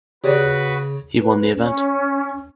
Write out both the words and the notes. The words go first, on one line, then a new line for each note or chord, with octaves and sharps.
He won the event.
C#3 F#4 G4 B4 C#5 D5
B4
C#4